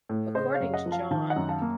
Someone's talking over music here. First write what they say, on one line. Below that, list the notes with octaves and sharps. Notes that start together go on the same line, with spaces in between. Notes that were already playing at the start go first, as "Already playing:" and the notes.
According to John.
A2
C#3 C5 D#5
C#5 F5
F#2
D#5 F#5
F3
F5 A5
D#3 F5 A5
D#5 F#5
F#2
F5 A5
A#3